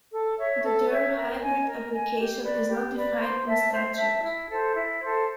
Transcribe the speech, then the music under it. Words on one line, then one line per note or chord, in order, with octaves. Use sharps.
The term 'hybrid application' is not defined in statute.
A4
C#5 E5
A4
C#5 E5
A#4
D#5 G#5
A#4
D#5 G#5
G4
B4 D5
G4
B4 D5
C5
E5 A5
C5
E5 A5
E4
A4 C5
E4
A4 C5